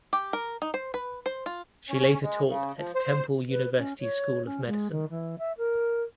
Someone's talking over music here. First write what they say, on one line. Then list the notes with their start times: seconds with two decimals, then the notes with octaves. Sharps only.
She later taught at Temple University School of Medicine.
0.13 G4
0.33 A#4
0.62 D#4
0.74 C5
0.94 B4
1.26 C5
1.46 F4
1.89 C#4
2.23 G#3
2.48 C#3
2.78 F3
2.95 C5
3.49 B4
3.78 C#4
4.00 C#5
4.45 C#4
4.66 G#3
4.91 D#3
5.09 E3
5.38 E5
5.58 A#4